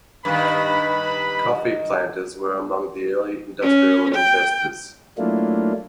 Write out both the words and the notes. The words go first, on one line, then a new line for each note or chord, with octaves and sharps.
Coffee planters were among the early industrial investors.
G2 D#3 B4 B5
C#4
G5
F#3 A3 A#3 D4 E4 F4